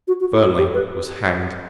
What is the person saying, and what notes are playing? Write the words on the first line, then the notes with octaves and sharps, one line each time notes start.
Fernley was hanged.
F#4
F#4
E4
F#4
G4
B4